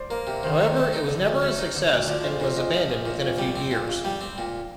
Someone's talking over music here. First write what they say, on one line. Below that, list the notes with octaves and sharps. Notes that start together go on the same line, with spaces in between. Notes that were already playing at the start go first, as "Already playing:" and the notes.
However, it was never a success, and was abandoned within a few years.
Already playing: C5 D5
A#3 A#4
C3
D#3 C5
C3 D#5
A3
D#4
D3
D2
A3
D#4
D3
D2
F3 D5
A#1 C5
A#2 C5
A#1 D#5
F3 D#5
A#1
A#2
A#1
G3
C4
A#2
A#1
G3 G5
C4
A#2